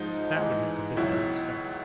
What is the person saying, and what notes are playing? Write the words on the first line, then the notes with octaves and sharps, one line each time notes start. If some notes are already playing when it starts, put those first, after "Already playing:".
That would make a book by itself.
Already playing: G#2 F3 D#4
G#2 E3
C#2 B2 F#3 E4